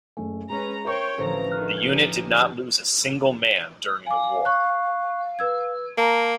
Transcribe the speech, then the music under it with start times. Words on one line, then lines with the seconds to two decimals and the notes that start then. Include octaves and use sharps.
The unit did not lose a single man during the war.
0.17 F#1 A3 G#5
0.50 G#3 C#4 B4 A#5
0.85 A#4 C5 C#5 E5 G5 C#6
1.18 A1 D3 F3 C4 A4 C5 A#5
1.51 D#3 F6 F#6
1.83 D#4 G4
4.07 F5 G#5 D6
4.45 C#6 F#6
5.39 B4 E6 G#6
5.98 A#3 A5 A#5